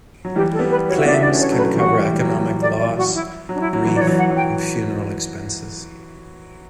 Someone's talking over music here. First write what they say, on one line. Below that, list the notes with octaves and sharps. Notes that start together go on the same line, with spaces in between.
Claims can cover economic loss, grief, and funeral expenses.
F#3
E3 G3 G4
A4
G3 B3
B4
F#4 C#5
E4
B3 D4 D5
E5
D4 D5
A3 C#4
C#5
F#3 A3
B4
E3 G3 F#4
E3 G3
F#3
D5
D5
F#4
E4
F#3
D4
E4
F#3
E3 E4
E3 D5
C#5
F#3
F#5
F#3
G5